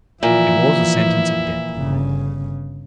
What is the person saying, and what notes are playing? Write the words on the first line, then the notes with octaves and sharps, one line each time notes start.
It was a sentence of death.
A#2 E3 F3 E4
G1 C#3